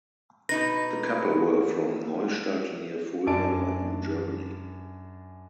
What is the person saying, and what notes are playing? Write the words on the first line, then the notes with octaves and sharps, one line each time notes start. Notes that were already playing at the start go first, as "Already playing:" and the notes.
The couple were from Neustadt near Fulda in Germany.
B2 D#4 B4 A#6
F#2 D4 D5 G#5 A5 D7